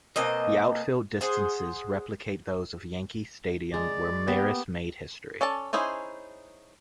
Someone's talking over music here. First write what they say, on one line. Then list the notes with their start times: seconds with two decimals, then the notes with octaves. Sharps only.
The outfield distances replicate those of Yankee stadium where Maris made history.
0.16 B2 A#3 C4 D#5
1.21 G#4 C5 F#5
3.74 G#3 D5 A#5
4.27 A#3 B3 G4
5.41 C#4 A4 D5 A5
5.73 C#4 D#4 E4 G#4 C5